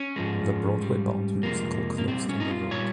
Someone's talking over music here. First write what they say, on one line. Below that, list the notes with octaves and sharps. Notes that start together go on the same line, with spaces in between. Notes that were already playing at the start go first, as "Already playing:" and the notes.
The Broadway-bound musical closed on the road.
Already playing: C#4
G#2 F3 G#3
G#2 G3
F2 C3 F3 G#3 A#3
A#3
A#2 G3 C4
C#4
D#4
F4
A#2 G3 C#5